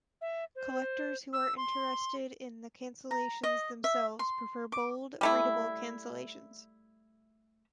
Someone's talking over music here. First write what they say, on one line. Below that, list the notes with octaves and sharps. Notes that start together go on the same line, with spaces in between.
Collectors who are interested in the cancellations themselves prefer bold, readable cancellations.
E5
C5
E6
C6
A#5
D#5
E5
C6
D6
G3 A3 E4